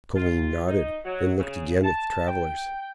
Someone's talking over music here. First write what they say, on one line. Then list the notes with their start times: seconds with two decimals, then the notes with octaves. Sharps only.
Toline nodded, and looked again at the travelers.
0.16 F4
0.68 D#4
1.05 F#3
1.39 C#3
1.84 A5
2.27 G5